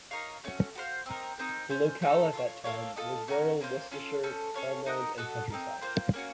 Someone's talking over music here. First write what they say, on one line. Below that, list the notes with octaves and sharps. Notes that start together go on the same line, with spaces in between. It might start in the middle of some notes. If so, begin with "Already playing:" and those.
The locale at that time was rural Worcestershire farmland and countryside.
D#4 A#4 C#5 F5
A3 C#4 F#4
F#4 C5 F5
C4 D#4 A#4
C4 D#4 A#4
C#4 A4 C5
A3 D#4 A4
F4 A4 C#5
A#3 F4 A4 C#5
F4 A4 D#5
A3 C#4 F#4 A#4
A#3 C#4 F4 C5
C#4 F4 A4
C#4 A4 C5
C#4 A4 C#5 F5
D#4 A#4 D#5 F#5
F#4 A4 D#5
C4 D#4 A#4
A#3 F4 C5
A#3 C#4 F#4